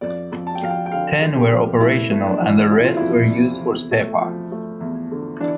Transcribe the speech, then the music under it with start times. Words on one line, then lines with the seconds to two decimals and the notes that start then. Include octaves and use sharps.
Ten were operational and the rest were used for spare parts.
0.01 F2 D5
0.32 F2
0.47 A5
0.55 G5
0.62 F2 F5
0.70 G5
0.86 G5
0.92 D3 F5
1.21 D3
1.37 G4
1.51 F2
1.81 A3 E4
2.11 A3
2.26 D4
2.42 E3
2.71 C3 E4
2.84 F4
2.97 F2 E4
3.31 C3
3.61 E2
3.91 A3
4.21 F3
4.52 A3
4.80 E2
5.11 D3
5.40 E3 D4